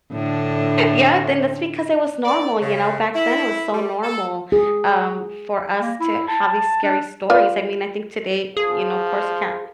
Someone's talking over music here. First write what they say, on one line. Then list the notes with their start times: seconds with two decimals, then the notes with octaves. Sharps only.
yeah then that's because it was normal, you know, back then, it was so normal, um, for us to have these scary stories I mean, I think today you know, of course, you can't
0.12 A2 D3 D4
2.25 D5
2.61 C#3
3.15 E4
3.73 G3
4.04 A4
4.52 G#4
5.81 A#3
6.00 E4
6.28 A5
6.83 D4
7.30 F4 B4 D5
8.57 F3 G#4